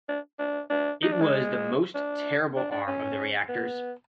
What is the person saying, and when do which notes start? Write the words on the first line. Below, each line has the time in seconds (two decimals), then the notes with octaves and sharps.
It was the most terrible arm of the reactors.
0.08 D4
0.39 D4
0.70 D4
1.02 D#4
1.12 D4
1.22 G#3
1.94 D4
2.56 D4
2.71 D4
2.88 C#4
3.49 B3